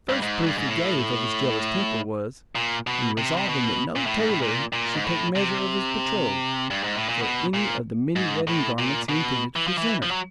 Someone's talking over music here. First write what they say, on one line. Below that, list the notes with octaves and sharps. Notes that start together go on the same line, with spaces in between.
The first proof he gave of his jealous temper was, in resolving that no tailor should take measure of his betrothed for any of the many wedding garments he intended to present her.
G2
G#2
G2
G#2
A2
A#2
B2
C3
C3
B2
A#2
A2
G#2
A2
A#2
A#2
G#2
A2
C3
G2
G#2
A2
A#2
B2
A#2
G#2
A2
A#2
B2
E3
F3
E3
F3
F#3